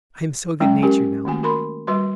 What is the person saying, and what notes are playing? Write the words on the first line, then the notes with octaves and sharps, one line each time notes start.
I am so good-natured now.
F#3 G#3 C#4 G5
C#4 G4 A#4 G#5
D#3 A3 A#3 F#4 G#5
F#4 A#4 B5 C6
G3 F#4 B4 E5 C6